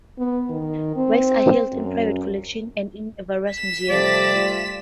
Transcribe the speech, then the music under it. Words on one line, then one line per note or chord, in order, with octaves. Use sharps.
Works are held in private collections and in various museums.
B3
D#3
C4
F#2
B6 E7
C3 F3 G3 A3 D5
A3 F4